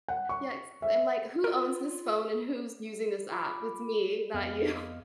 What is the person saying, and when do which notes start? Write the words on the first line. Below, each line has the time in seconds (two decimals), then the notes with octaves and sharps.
Yeah, it's I'm like, "Who owns this phone and who's using this app? It's me, not you."
0.08 F#5
0.29 C#6
0.82 E5
1.44 F4 A#4
3.32 F4 B5 D6
4.34 F2 B3 D#5 F5 F6